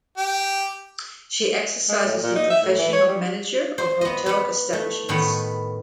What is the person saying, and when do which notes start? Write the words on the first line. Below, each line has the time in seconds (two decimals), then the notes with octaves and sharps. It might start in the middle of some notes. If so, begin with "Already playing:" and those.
She exercises the profession of manager of hotel establishments.
0.17 G4
1.89 G#3
2.06 A2
2.22 A#2
2.36 D#4
2.50 E5
2.63 A2
2.79 E3
2.93 C#5
3.07 G3
3.78 C5
4.01 B3 D#5
4.26 B4 F#5
4.73 A3
5.09 A2 D#3 B3 F#5